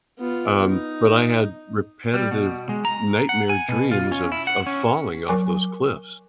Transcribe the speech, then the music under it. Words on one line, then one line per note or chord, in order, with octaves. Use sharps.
Um, but I had repetitive nightmare dreams of of falling off those cliffs.
B3 F4
D#4
G3
B2
G#3
A#5
F#5
G#5
B2
F4
C#4
E4
F#5
C#4
F#3 A#4 G#5 D6